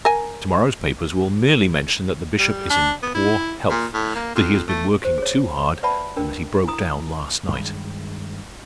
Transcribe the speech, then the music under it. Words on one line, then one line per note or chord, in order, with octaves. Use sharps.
To-morrow's papers will merely mention that the Bishop is in poor health, that he has been working too hard, and that he broke down last night.
A#4 G#5
G3
D4
B3
E4
A#2
A2
A#3
F2
A3
G4 C5
G#4 C#5
B4 D5 E5 F#5 A5 B5
D4 A#4 G5
E4 A#5 D#6
G2 D#3 G#3